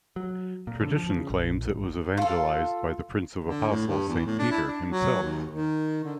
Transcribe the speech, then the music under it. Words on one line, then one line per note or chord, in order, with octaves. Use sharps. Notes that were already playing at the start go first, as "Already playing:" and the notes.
Tradition claims it was evangelized by the Prince of Apostles Saint Peter himself.
F#3
A#2
D3
F3
C#3
A#1
G#1
F4 A4
D3
A2
G2
E2
A2
D4
E4
D4
F#3
D#2
D#3
D3